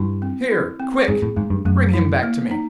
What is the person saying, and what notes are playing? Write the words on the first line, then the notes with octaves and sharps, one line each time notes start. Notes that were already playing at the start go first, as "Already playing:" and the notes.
'Here! quick! bring him back to me.'
Already playing: G2 E4
C4
E4
C4
G#2 G#4
A2
G#2 A3
G2
F#2 A3
E4
A#3
D#4